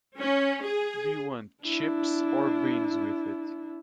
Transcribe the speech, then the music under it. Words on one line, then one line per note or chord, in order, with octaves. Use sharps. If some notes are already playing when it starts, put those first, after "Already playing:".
Do you want chips or beans with it?
C#4
G#4
D4 E4